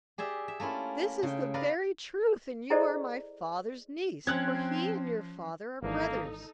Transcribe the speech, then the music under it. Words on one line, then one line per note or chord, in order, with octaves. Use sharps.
This is the very truth, and you are my father's niece; for he and your father are brothers.
G4 G#4 D5 E5
E5
A3 A#3 C#4 E4 F4
C#3 G5
A#4 B4 D5 F5
E4 G#4 A4 C5 D5 D#5
F3 C4 C#4 F#6 G#6
G#1 E3 A#3 D4 D#4 A4